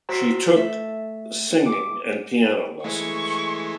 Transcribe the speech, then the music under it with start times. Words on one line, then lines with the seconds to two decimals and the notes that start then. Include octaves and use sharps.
She took singing and piano lessons.
0.09 F#4 C5 A#5 E6 B6 C7
0.56 A3 A4 E5
1.66 D6
2.84 E3 G#3 A3 C#6